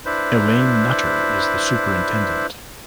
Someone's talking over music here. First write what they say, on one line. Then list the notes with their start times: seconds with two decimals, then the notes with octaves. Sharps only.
Elaine Nutter is the Superintendent.
0.06 D4 E4 B4 C5